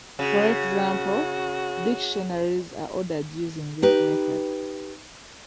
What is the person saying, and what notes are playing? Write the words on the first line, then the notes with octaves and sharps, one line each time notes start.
For example, dictionaries are ordered using this method.
C#3 F#4
D#4 G4 B4